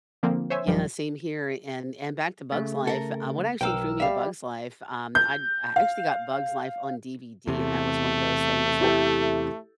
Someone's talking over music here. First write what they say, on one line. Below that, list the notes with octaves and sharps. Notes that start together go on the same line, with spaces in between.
Yeah, same here, and and back to Bug's Life, uh, what actually drew me to Bug's Life, um, I I actually got Bug's Life on DVD and that was one of those things that
D3 F3 A#3 C4
C5 C#5 E5 G#5
B1 G2 F3 G3
C#3 A3
A4 A#4
B1 A#4 G5 E6
G3 E5 F5
G6
F5
E2 C3 A3
E4 G4 A4